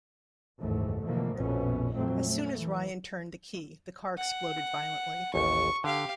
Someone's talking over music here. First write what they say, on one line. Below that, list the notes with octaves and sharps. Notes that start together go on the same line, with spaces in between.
As soon as Ryan turned the key, the car exploded violently.
F#1 D#2 G#2 E3 A3
B2 D3 E3 F3 A3 A#3
A#1 F2 B2 A3 B3 C#4
F2 A#2 F3 F#3 A3 C4
A3
E3
F#5
A1 D#2 C#6
D3 G4 F5